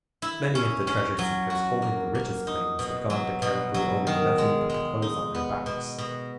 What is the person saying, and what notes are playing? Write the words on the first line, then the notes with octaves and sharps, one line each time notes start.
Many of the treasure-seekers holding the richest claims had gone to Cariboo owning nothing but the clothes on their backs.
E4
C#4
C#4
F#3
F#4
A#3
A#3
D#4
B2
F#3
B2
F#3
D#3
G#3
G#3
D#4
B3
B2
B2